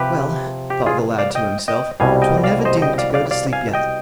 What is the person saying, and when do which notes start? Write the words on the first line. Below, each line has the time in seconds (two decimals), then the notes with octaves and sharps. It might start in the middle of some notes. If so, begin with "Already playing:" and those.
'Well!' thought the lad to himself, ''twill never do to go to sleep yet.
Already playing: C3 F3 G4 B4
0.70 G4
0.86 F4 G#4
1.18 D5 F5
1.35 D#5 G5
1.68 D#5 G5
2.00 C2 B2 G3 F5 G#5
2.22 D#5 G5
2.44 D5 F5
2.65 C5 D#5
2.82 D#5 G5
2.98 D5 F5
3.14 D5 F5
3.31 D5 F5
3.53 F5 G#5
3.73 D#5 G5